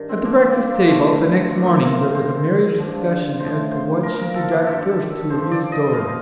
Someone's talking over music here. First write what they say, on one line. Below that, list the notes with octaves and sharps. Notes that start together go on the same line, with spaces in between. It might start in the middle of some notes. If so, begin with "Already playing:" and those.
At the breakfast-table the next morning there was a merry discussion as to what should be done first to amuse Dora.
Already playing: G2 D#3
C4
A#2 F3 A#3
C4
A#3
G2 D3 F3 A3
A2 F3 A#3
C4
A#4
C5
G2 D#3 C5
G2 D3 F3
A2 F3 C5
C5
A#2 F3 A#4
A#4
A4
G4
G2 D#3 A4
G2 F3 C5
D5
D#5
A#2 F3 F5